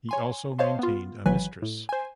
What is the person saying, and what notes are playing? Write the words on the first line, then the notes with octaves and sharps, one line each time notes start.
He also maintained a mistress.
C#5 G#5 C6
C5 C#5 D#5 F5 A5 C6
B3 F4
G#1 E3 F#3 B4 G#5
A2
C5 G#5